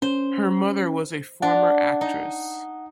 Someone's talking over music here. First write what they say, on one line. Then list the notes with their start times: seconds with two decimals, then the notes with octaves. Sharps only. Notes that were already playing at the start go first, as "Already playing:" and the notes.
Her mother was a former actress.
0.02 C#4 C5
1.42 D4 F#5
2.01 D#4